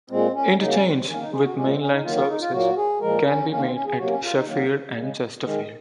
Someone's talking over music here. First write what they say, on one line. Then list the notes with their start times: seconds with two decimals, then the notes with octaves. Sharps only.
Interchange with mainline services can be made at Sheffield and Chesterfield.
0.10 A#2 G#3 C4
0.34 C#4
0.58 C#3 F#3 A#3 D#4
0.71 C#4
0.83 C4
0.95 C4
1.07 D#3 A#3 C#4
1.20 D#4
1.32 G#4
1.44 F#4
1.55 A#2 G#3 C#4
1.68 C4
1.80 C#4
1.92 D#4
2.04 D#3 F#3 A#3 F4
2.16 F4
2.28 D#4
2.41 F4
2.53 A#2 F#3 A#3 F#4
2.77 G#4
3.01 A#2 F3 G#3 A#4
3.25 C#4
3.49 D#3 A#3 C#4
3.62 C4
3.73 C#4
3.86 G#4
3.98 C3 F#3 A#3 F#4
4.10 C#4
4.22 F4
4.35 D#4
4.46 D#3 F#3 A#3
4.95 C#3 G#3
5.43 D#3 G#3